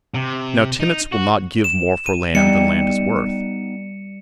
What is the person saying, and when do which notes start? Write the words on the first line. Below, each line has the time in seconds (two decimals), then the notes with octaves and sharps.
Now tenants will not give more for land, than land is worth.
0.14 C3
0.80 D#4
1.12 F#4
1.64 E7
2.06 D#7
2.35 G3 B3 D#4 G5 C#7